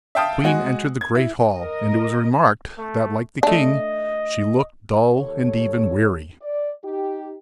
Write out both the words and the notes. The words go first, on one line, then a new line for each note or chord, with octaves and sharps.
The queen entered the great hall; and it was remarked that, like the king, she looked dull and even weary.
E5 F5 G5 A5 D#6
G#3 F#4 G#5
G#6
E4
A#4 D#5
A3
A3 D4 D#5
D#2 A4 C#5
D5
D#4 G4